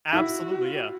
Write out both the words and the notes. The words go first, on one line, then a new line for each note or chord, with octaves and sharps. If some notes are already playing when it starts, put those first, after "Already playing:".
Absolutely, yeah.
E4 F#4